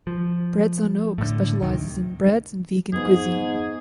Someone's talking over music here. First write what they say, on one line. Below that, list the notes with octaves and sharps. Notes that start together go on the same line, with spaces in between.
Breads On Oak specializes in breads and vegan cuisine.
F3
A2 D3
D2 C3 D#3
F2 G#2 B3 G#4